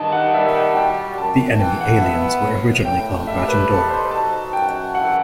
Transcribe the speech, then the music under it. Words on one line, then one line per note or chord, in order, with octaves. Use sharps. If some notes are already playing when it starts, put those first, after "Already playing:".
The enemy aliens were originally called Rajendora.
Already playing: G2 D#3 A5
F#5
G3 E5
F#5
F#4 G5
F#2 A5
E3 G5
F#5
B3 E5
F#5
A2
A2 G5
G3 E5
B4
D#4 A4
C5
F#4 A5
F#2 G5
E3 F#5